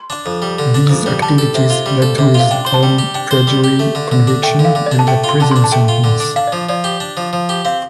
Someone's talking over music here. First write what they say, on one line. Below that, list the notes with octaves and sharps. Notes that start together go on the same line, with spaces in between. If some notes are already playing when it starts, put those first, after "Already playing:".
These activities led to his own perjury conviction and a prison sentence.
Already playing: C6
D4
F2
G3
D3
D4
F2
G3
G3 A5
A4
C3
F4
G3
A4
C3
F4
F5
D4 G5
C5 C6
A5
G3 G5
G4
D4 G5
C5
G3
G4
A3
D3
D3
D4
A3 G5
D3
F5
D3
D5
D4
A5
A3 G5
F4
C6
D3 A5
D4 C6
A5
A3 G5
F4
D3
D4
D4 F5
F3 D5
F3 D5
G4
D4
F3
F3
G4
C4 F5